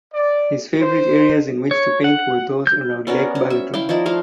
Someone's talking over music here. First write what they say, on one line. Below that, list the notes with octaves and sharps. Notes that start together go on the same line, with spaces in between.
His favorite areas in which to paint were those around Lake Balaton.
D5
C5
C#5
F#5
G6
B3 C#4 D4 A#4
C#4
E5
E4 F5 G5
F3 D#4 E4 D5
F3 A3 F5